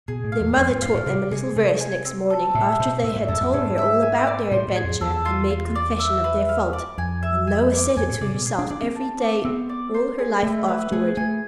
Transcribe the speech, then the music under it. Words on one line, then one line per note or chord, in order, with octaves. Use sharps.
Their mother taught them a little verse next morning, after they had told her all about their adventure and made confession of their fault; and Lois said it to herself every day all her life afterward.
B2 G#4
A2
F5
E2
F2 F4
G#2
G#2 F5
A2
C3 D5
C3 G#4
C3 G#4
G#5
C4
A4
A2 E5
B2 C5
G#2 E5
G#2
F2 A4
F2
G#2 G#4
E5
G#5
D5
A2 C5
A2
G#4
F2
E2 A4
F4
F4
D5
E5
B4
F5
D5
F2 G#5
E5
G#5
D5
F2 G#5
A2
C3 D5
B2
G#4
D4
D4 D5
C4
A5
D5
B3 C4
D5
C5
G#4
A3 E5
B4
A3 G#4
A3 G#5